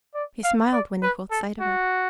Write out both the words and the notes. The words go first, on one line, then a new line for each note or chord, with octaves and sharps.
He smiled when he caught sight of her.
D5
F5
D5
B4
A4
F#4